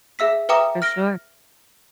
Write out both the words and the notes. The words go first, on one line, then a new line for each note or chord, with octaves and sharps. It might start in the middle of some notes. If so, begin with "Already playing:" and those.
For sure.
G#4 E5 E6 B6
B4 E5 G5 A#5 D6 D#6
F6 A#6 D7 G7